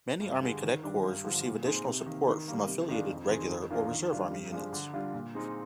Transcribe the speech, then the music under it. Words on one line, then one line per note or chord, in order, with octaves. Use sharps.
Many Army Cadet corps receive additional support from affiliated Regular or Reserve Army units.
G2
D3 G#3
D#3
G3 D4
G2
D3 F3
A#2
G#3 C4 D#4
C3
D#3 A#3
D#3
G3 A#3
C3
D#3 G#3 D4 F4
F2
D#3 G#3 C4 D#4
F2
D#3 A#3 D4 F4
D#3
G3 D4 F4
G2
F3 G#3 D4
D3
G3 D4 F4
A#2
G#3 C4 D#4